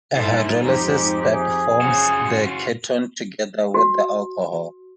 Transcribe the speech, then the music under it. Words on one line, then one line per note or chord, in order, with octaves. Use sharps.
A hydrolysis step forms the ketone together with the alcohol.
G#2 G3 E4 A4
F2 D#4 G4
G#4
F#2 C#3 F4 F#4
F#4